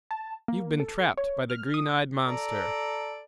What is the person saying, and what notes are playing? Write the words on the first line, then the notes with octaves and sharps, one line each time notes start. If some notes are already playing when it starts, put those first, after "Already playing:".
You've been trapped by the green-eyed monster.
A5
A#3
A4
C#5
F6
D#6
A4 D5 A#5